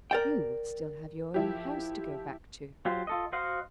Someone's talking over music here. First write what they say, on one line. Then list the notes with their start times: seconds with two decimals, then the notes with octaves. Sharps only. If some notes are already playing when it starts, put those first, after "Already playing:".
"You would still have your own house to go back to."
0.11 A#4 D5 G5
1.34 F3 E4 G4
2.85 F#3 F4 G4 C5
3.07 F4 A4 D#5
3.32 F#4 C5 D#5 F5 F#5